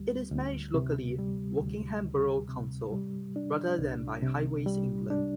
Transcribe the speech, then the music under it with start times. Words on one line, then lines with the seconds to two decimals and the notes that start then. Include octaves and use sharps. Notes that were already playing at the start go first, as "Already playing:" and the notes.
It is managed locally, Wokingham Borough Council, rather than by Highways England.
Already playing: D2 G3
0.31 D2
0.74 C3
1.19 G3
1.61 D2
2.05 D2
2.49 C3
2.92 G3
3.36 D4
3.79 C2
4.22 C3
4.66 G3
5.10 D4